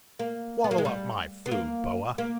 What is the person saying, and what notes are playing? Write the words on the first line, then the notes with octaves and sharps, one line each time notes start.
Swallow up my food, boa.
A#3
B3
A#3
G#3
G3
B3
A#3
A#3